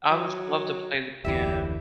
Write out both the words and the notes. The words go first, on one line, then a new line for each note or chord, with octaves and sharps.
I would love to play the piano.
F#3
F1 D2 E3 G3 E5